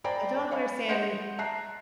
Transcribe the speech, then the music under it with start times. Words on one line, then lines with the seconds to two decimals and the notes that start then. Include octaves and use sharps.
I don't understand
0.04 C5 D5 G5 G#5 A#5 B5
0.51 C#5 D#5 F5 G#5 B5
0.89 D#5 F#5 C6 G6 C#7 D7
1.39 E5 A5 A#5 F#6 C7